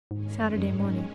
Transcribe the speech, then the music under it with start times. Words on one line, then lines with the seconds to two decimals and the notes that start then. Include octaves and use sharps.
Saturday morning.
0.11 D#2 G#2 D#3 G#3 C#4
0.42 F#2
0.58 F#2
0.71 G#2